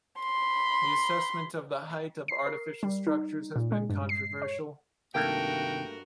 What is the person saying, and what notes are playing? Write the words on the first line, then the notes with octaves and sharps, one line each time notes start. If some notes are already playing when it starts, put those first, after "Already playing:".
The assessment of the height of artificial structures has been controversial.
B5 C6
C7
A#4
G3
D#4
A#2
G#3
G2
C7
C#5
G2 C3 D#3 A3 A#3 F#4 A#4 G5